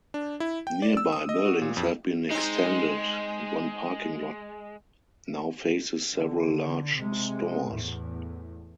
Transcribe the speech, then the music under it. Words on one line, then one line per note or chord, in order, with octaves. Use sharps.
Nearby buildings have been extended, and one parking lot now faces several large stores.
D4
E4
G5
D5
E6
D#6
D#5
F#4
A#2
F2
G#3 C4 D#4
D3
C3 G#3
E2 A2